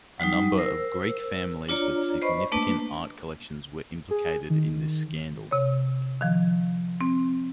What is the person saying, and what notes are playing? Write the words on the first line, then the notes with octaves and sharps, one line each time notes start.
A number of Greek families with significant art collections were implicated in this scandal.
F#3 G3 D#4
A#4 C5 E6
D4 F4 C#5 D5 A#5
B4 C5 D5 D#5 B5 C#6
A3 A#3 D4 B4 A5
G#4
D#3
C3 C#5
D#3 F3
C4